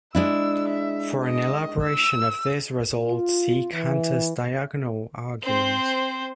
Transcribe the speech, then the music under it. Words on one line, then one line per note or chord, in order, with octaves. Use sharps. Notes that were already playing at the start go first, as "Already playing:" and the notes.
For an elaboration of this result see Cantor's diagonal argument.
G#3 D4 E4 E6
E5
D#5
E6
F4
E3
C4 C5